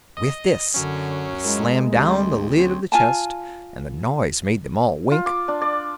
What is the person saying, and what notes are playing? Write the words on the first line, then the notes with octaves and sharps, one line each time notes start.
With this he slammed down the lid of the chest, and the noise made them all wink.
D#5 D#6
F#2 D3 F#3 C#4
G#3 E4 F4 A#4
D2 C4 G4 C5
C4 C#4 G#4
F4 G#5 A5
F4
D6
D4
D5